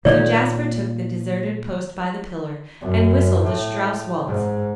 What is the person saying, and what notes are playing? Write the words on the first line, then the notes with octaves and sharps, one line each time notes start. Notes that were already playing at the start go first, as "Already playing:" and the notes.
So Jasper took the deserted post by the pillar, and whistled a Strauss waltz.
A#2 D#3 A#3 C#5 D5
F#2
A2
G#2